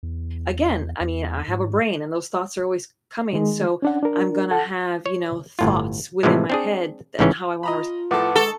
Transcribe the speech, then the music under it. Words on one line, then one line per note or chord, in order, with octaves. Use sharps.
again, I mean, I have a brain and those thoughts are always coming, so I'm gonna have, you know, thoughts within my head and how I wanna
E2
E2
G#2
D#3 G#3
C#4 D4 F#5
D4 A#4
A4 F#5 A5
C#5
G1 A2 F4
A2 C3 E3 F3 G#3
C4 D4 G#4
A1 G#2 C#3 E3 C#4
F4 D#5 A#5 B5
A2 F3 A4 B4 F#5 D6
G#3 A4 A5 C#6